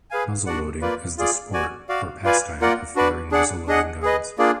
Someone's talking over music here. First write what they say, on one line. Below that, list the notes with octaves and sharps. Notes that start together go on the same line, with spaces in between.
Muzzleloading is the sport, or pastime of firing muzzleloading guns.
G#4 B4 F5 G#5
D4 F#4 D5 F#5
A#3 F4 B4 D5
F4 G#4 D5
F#4 D5 G#5
F#4 D5 F5
F4 B4 D5 F5 G#5
A#3 F4 A#4 D5 F#5
D4 F#4 B4 D5
D4 G#4 D5 F#5
D4 G#4 D#5 F#5
G#4 B4 D#5
A#3 D4 F4 G#4 D5